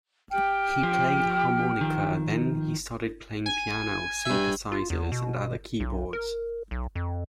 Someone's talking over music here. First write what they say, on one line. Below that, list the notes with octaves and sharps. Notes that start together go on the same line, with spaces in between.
He played harmonica, then he started playing piano, synthesizers and other keyboards.
G4 G5 F6
F3
D#3 F3
G#5
G2 E5
F4
E2
B2
B1
A#4
B1
F2